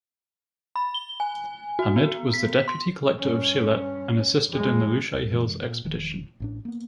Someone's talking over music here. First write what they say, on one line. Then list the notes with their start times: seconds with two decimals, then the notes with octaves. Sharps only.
Hamid was the Deputy Collector of Sylhet and assisted in the Lushai Hills expedition.
0.76 B5
0.94 G7
1.20 G#5
1.79 F#4
1.96 B3
2.34 B6
2.68 C6
3.17 G2 C#4
4.48 F2 G#3
5.14 D2
5.32 F#2 C3 E3 G#3
5.63 A#2
5.85 E1 D#3 F3
6.40 A1 A2 D4
6.65 A#3 B3